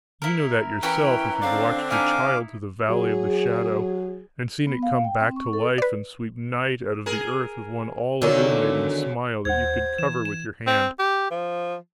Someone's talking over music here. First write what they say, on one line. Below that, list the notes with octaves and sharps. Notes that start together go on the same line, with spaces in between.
You know that yourself, if you've watched your child through the Valley of the Shadow and seen it come back to life and sweep night out of the earth with one all-illuminating smile that you could cover with your hand.
E4 A#4
E3 C#4 E4 A#4 G5
D3 C4 D4 F5
D#4 E4 F5 G#5 D6
F#3 G#4
B3
F5
G5
C4
C#6
A4
B4 D5
G#4 A#4
E2 D3 D#3 F#3 C#4
D#2 C5 F#5 G#6
E3 E7
E7
C4
G4
F3